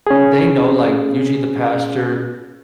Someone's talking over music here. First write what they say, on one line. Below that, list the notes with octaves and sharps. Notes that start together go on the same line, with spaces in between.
they know, like usually the pastor
C#4 G#4